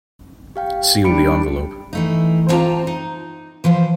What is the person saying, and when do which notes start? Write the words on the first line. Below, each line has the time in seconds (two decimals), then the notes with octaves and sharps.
Seal the envelope.
0.56 G4 F5 G5
1.05 G3 D4 B5 C#7 D7
1.93 E3 A3 D#4
2.49 C4 E4 F4 G4 A5 A#5
2.87 D#4
3.64 E3 F3 B4 C5